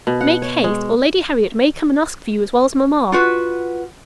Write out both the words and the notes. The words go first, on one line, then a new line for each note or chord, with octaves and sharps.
Make haste, or Lady Harriet may come and ask for you as well as mamma.
B2
F#5
C#5
G#3
F4 F#4 B4